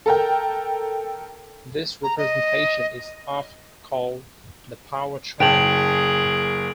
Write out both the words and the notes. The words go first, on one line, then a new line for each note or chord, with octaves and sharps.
This representation is often called the "power triangle".
A4 A#4 G5
A#5
D#5
F#1 G#4 G5 A5 D7 F7 F#7